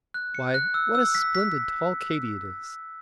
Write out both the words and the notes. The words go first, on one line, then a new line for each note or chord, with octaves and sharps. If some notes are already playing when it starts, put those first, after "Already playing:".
Why, what a splendid tall Katy it is!
F#6
C#7
F#6
E6
E6
B6
B6